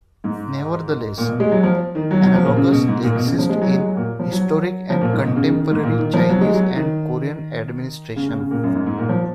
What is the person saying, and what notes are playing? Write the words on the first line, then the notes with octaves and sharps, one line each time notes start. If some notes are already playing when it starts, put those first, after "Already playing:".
Nevertheless, analogues exist in historic and contemporary Chinese and Korean administration.
G#2
A#2
B2
G#3
F#3
F3
D#3
F#3
F#3
F3
A#2
C#3
B2
G#2
A#2
B2
C#3
F3
G#3
F#3
G#3
F#3
A#2
F3
F#3
F3
A#2
G#2
B2
C#3
D#3
D#3
G#2
A#2
D#3
F3
F#3
G#3
F#3
D#3
C#3
C#3
C#3
A#2
F#2
G#2
G#2
A#2
F3